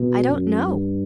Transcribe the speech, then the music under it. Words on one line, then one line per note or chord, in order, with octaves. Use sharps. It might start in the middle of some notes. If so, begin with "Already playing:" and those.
"I don't know."
Already playing: B2
F#2
G2